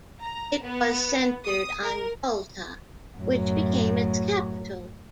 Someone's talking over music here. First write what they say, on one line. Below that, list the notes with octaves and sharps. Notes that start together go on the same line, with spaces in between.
It was centered on Balta, which became its capital.
A#5
B3
D#6
A#4
F#2 A2 F#3